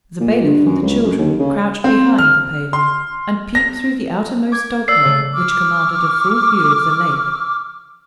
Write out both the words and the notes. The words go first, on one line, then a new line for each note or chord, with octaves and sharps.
The bailiff and the children crouched behind the paling, and peeped through the outermost dog-hole, which commanded a full view of the lake.
A#2
G2
F#2
C#2
F#2
D#2
C#3
C4
F6
C6
A#6
D6 G#6
D5 E6 A6 C7
C#3 A3
C#6 D6 E6 F6